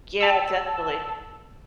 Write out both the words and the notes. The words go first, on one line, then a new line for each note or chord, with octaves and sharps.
Yeah. Definitely.
A5 E6